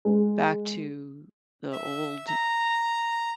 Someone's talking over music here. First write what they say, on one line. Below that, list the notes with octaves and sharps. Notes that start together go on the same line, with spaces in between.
back to the Old
G#3
E5
A#5